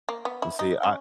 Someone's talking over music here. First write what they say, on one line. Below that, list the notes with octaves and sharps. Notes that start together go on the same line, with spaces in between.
and see I
A#3
B3
E4
D#4
C#4